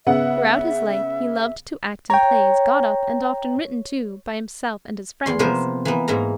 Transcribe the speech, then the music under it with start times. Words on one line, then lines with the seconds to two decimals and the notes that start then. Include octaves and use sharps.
Throughout his life he loved to act in plays got up and often written, too, by himself and his friends.
0.06 C#3 B3 E5 F#5
2.10 C#5 G5 A#5
5.26 E2 C6
5.39 C3 F3 A#3 B3 A#4 C5
5.85 E3 A#3 B3
6.08 G#2 E3 A#3 A#5